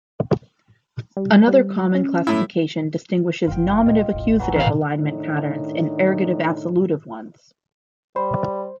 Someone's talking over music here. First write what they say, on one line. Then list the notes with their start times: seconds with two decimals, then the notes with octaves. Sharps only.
Another common classification distinguishes nominative-accusative alignment patterns and ergative-absolutive ones.
1.17 G3
1.47 G3
1.95 C#4
2.27 A2 E4
3.47 G1 F#2 F4 G5
3.86 D1 A#2 D#5
4.13 E1 A1
4.40 E3 F#3 F#5 G#5
4.56 E2 D#4 A#4 F5
4.97 A2 D#3 D4 D#4
8.16 G3 C5 B5